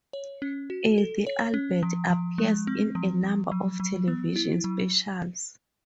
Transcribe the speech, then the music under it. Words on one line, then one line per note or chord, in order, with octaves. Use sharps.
Eddie Albert appears in a number of television specials.
C#5
C#4
F#4
A4
C#5
C#4
F3
F3
G#3
C4
F3
F3
F#3
F#3
B3
E4
F#3